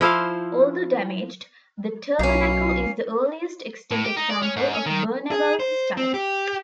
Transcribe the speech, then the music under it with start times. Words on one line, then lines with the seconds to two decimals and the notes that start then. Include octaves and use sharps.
Although damaged, the tabernacle is the earliest extant example of Berneval's style.
0.01 F3 E4 C5 F5
2.19 B1 F#3 A#3 C#4 C7
3.91 A2
4.05 G4
4.17 D#4
4.30 D5
4.42 C#4
4.57 G#2
4.73 C#4
4.86 D#3
5.31 G#4
5.60 C5
5.97 C4
6.14 G4